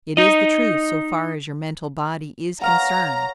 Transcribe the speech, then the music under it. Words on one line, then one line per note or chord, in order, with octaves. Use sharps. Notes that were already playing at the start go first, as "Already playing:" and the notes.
It is the truth so far as your mental body is concerned.
D#4 D#5
C#5 F5 F#5 A#5